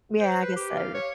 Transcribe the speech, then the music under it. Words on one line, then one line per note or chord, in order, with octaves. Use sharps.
Yeah. I guess so.
C5
B4
G4
F5
C#5